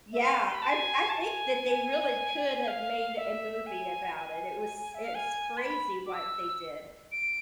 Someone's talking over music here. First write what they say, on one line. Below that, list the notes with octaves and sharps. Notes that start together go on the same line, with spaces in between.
Yeah. I r I think that they really could have made a movie about it. It was it's crazy what they did.
E5
F5
C6
B5
A5
G#5
A5
G#5
F5
E5
G#5
G#5
E5
F5
G#5
C6
B5
D6
E6
D7